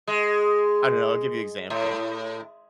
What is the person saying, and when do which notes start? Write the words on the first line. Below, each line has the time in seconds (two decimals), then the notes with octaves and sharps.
I don't know, I'll give you example.
0.07 G#3
1.70 A2